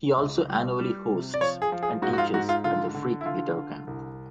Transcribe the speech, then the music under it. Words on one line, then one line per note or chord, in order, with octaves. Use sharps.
He also annually hosts and teaches at the Freak Guitar Camp.
C#2
G3
G3
C3
D5
F3 C#5
G#4
F3
G#4
G#2 F#4
F#4
F4
G#2 F#4
F4
D3 F4
D3
E4
D3 F4
D3
C2